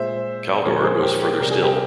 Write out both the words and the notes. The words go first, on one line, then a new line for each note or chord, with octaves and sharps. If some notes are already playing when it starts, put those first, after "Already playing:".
Kaldor goes further still.
Already playing: A#2 G#3 C5 E5
A#2 F3 G#3 A#4 C#5
G#4 C5
G4 A#4
G4
C3 G3 A#4
G#4
G4